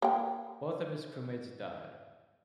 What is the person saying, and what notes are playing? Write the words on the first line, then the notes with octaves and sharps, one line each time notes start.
Both of his crewmates died.
A#3 G5